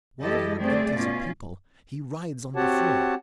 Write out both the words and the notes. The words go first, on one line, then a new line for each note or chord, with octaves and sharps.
While the room empties of people he writhes on the floor.
F#2 E3 E4 G4 A4 D#5
G3 A3 C4 G#4 D5
B2 C#4 F4
C4 F#4 G4 C#5 F#5 A5